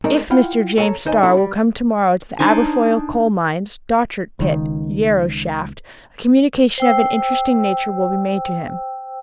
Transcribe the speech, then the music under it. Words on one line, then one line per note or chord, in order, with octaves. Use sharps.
IF Mr. James Starr will come to-morrow to the Aberfoyle coal-mines, Dochart pit, Yarrow shaft, a communication of an interesting nature will be made to him.
G#3 A3 C4 D4 D#4 A#4
E4 F4 F#5 G5
A4 C#5 E5 G5 A5 A#5
D#2 D#4 C5 D#5 G#5
C#4 D4 E4 A4
G3
D4 D#4 C5 G#5
C#2 D#3
C5 G5 E6